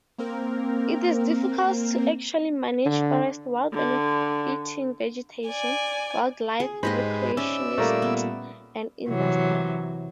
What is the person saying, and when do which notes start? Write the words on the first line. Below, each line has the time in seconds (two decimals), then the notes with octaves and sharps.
It is difficult to actually manage forest while benefiting vegetation, wildlife, recreationists, and industry.
0.18 A#3 C4 A#4
2.85 D3
3.73 D3
5.48 D5 G#5
6.60 G#4
6.83 G#2 G#3 D#4 G4 B4 C5 D#5 B5
7.37 C#4 D5 E5 E6
7.78 A#2 G3 A3 A#3
8.02 B3
9.08 C3 E3 F#3